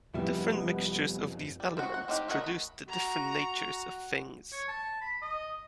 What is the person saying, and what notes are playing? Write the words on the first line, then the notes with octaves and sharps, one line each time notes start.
Different mixtures of these elements produced the different natures of things.
F#2 C3 F3 G3 B3 E4
G3
C4 F#4
F#5
C4 D#4 G4 F5 G5
A3 A#4 D#5 F#5 A#5
B5
F#4 A#5
C#5
A5
B5
D#5